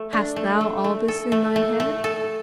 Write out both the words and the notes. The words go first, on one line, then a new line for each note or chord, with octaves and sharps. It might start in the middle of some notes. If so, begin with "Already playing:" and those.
Hast thou all this in thine head?
Already playing: A3
D4
A3
A3
A3
A4
A3
A3
A3
A4